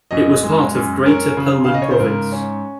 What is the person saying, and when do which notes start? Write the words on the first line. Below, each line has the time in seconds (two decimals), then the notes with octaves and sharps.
It was part of Greater Poland province.
0.11 F#2 D#5
0.43 G#3
0.75 F#2
1.06 C#4 A#4
1.37 C#3
1.65 C#3 F5
1.74 D#5
1.82 C#5
1.91 C5
2.00 G#2 A#4
2.32 C#4